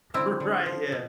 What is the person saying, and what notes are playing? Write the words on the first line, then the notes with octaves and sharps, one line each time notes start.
R right, yeah.
D3 C4 E4
D3
F3
B2